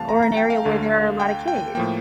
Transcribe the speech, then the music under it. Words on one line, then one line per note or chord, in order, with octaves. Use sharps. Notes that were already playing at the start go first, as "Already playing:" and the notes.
Or an area where there are a lot of kids?
Already playing: C2 C3 E3 A3 F5 A5
A#5
A#5
G5
F5
D2 D3 A3
G5
G5
A2 F3 A#3 G5